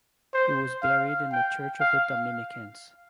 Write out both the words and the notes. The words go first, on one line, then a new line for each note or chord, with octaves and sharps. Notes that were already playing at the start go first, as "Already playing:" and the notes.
He was buried in the Church of the Dominicans.
C5
F5
G5
F5